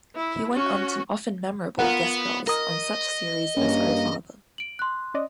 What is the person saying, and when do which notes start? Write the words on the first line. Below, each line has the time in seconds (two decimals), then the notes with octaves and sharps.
He went on to often-memorable guest roles on such series as Oh Father!
0.15 E4
0.53 C#4 F#4
1.79 B3 F4 A#4 F#5
2.47 A#4 D#5 D#6
3.57 G2 A#3 C#4
4.58 D7 F#7
4.79 C6 F#6
5.14 C#4 D5 D#5